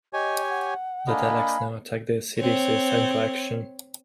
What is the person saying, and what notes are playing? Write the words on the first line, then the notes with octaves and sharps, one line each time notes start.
The Daleks now attack the city, so it is time for action.
G4 C#5 D#5 G#5
F#5
A#3 D4 D#5 F5 G#5 B5
C4 C#5